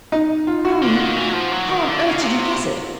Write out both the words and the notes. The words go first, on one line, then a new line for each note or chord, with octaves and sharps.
'Brownie, how on earth did you guess it?
D#4
F4
F#4
D3 F4
D#3
E3
F#3
F3
F#3
D#3
D3
C#3
C3